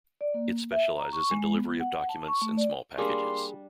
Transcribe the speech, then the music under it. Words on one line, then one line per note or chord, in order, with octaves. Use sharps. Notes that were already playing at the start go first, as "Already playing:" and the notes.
It specializes in delivery of documents and small packages.
D5
A#3
E5
A#5
C#6
G#3
B3
F#5
A5
C#6
A3
D5
G3 A#3 D4 G#4 C6